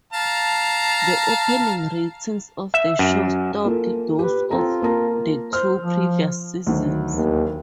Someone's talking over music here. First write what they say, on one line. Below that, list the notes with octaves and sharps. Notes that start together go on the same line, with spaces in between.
The opening ratings of the show topped those of the two previous seasons.
F5 A5 A#5
E5
F#2
A#3 F4 A4
G4 B4
C4 F4 A4 A#5
A#3 A5 A#5
C5 F6
F3
D2 D#3 F#3
D#2